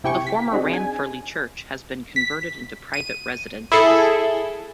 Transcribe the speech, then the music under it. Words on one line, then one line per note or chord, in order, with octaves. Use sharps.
The former Ranfurly Church has been converted into private residences.
C3 E4 G4 G5 G#5 C#6
B6
C4 D4 D#4 F#4 G#4
G#5
B6
D#7
E4 G#4 A4